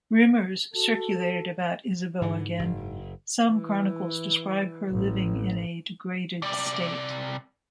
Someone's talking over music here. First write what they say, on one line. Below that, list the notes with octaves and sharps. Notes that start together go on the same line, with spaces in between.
Rumors circulated about Isabeau again; some chronicles describe her living in a "degraded state".
F#4 A4
G#2 D3 E3
F#1
E3
A1
C3 D5